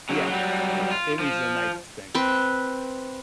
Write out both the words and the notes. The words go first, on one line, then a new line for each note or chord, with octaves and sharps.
Yeah. Yeah, it is a nice thing.
C#3 F#3
F#3 G3
F4
F3
C4 B4